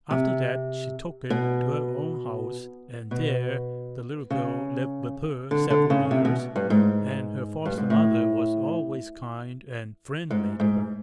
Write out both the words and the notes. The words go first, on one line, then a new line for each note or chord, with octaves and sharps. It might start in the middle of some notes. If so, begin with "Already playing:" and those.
After that she took it to her own house, and there the little girl lived with her several years, and her foster-mother was always kind and friendly to her.
C3
B2
B2
C#3
D3
D3
C#3
C3
B2
G2
G#2
G2
G#2
A2
G#2
G#2